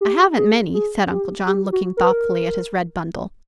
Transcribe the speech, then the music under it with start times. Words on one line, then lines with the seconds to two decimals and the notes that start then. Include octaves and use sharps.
"I haven't many," said Uncle John, looking thoughtfully at his red bundle.
0.01 G4
0.38 G#4
0.74 G#4
1.11 G4
1.47 G4
1.72 F#4
1.97 A#4
2.03 B4
2.11 A#4